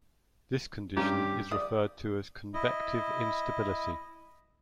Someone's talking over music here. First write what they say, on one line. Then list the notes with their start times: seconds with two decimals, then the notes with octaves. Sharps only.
This condition is referred to as "convective instability".
0.97 G2 C#4 G4 A#5
1.51 D5 D#6
2.54 E4 D#5